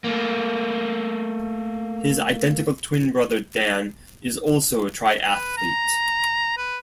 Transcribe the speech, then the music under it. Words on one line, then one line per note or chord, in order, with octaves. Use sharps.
His identical twin brother Dan is also a triathlete.
A3 A#3
B4
A#5
B4